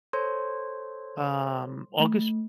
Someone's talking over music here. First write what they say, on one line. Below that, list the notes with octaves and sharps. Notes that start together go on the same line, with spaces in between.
um August
A4 C5 C#5 C6
A3